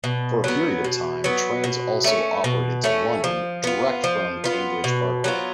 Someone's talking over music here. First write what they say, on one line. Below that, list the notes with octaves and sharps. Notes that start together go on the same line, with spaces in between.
For a period of time trains also operated to London direct from Tamebridge Parkway.
B2
F#3 B3
B2
F#3 B3
B2
A3 C#4
B2
A3 C#4
F3
B3 F4
F3
B3 F4
B2
F#3 B3 F4